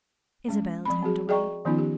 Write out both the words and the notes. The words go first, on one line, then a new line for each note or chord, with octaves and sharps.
Isabel turned away.
G#3 C#4
F3 C4 B5
C4 F#4 G#4
G#4 D5 D#5 G5 A#5 C#6
D#3 F3 B3 C#4 D#4 F4
G4